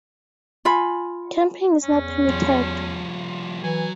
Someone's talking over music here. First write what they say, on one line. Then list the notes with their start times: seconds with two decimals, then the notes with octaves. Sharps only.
Camping is not permitted.
0.65 F4 G#5 B5
1.83 E2 C#4
2.28 F3 G3
3.64 E3 F#3 G#5